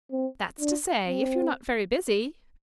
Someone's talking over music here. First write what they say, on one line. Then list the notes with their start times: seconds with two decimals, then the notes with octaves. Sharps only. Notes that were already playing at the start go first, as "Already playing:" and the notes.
"That's to say if you're not very busy."
0.12 C4
0.60 D4
1.08 C4